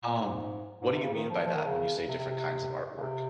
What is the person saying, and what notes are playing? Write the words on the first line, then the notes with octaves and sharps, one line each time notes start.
Um, what do you mean by that, when you say different kinds of artwork?
A#2
G#2
G#2
C3
C#3
D#3
F3
F3
D#3
C#3
C3
C3
C3
C#3
C3